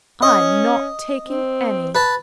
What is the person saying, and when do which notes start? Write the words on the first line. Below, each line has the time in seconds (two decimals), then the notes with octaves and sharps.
I'm not taking any.
0.22 C#4 D#5
1.25 C4
1.95 B4 A5